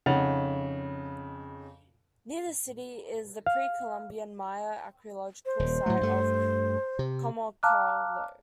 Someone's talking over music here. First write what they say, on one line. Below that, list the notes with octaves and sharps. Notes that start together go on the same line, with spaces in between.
Near the city is the Pre-Columbian Maya archaeological site of Comalcalco.
F2 C#3 D#4 F#5 A6 F7
F5
C5
D#1
A2 F#3 A3
G2 A3
C3
F5 A5 A#5 D6 F6 F#6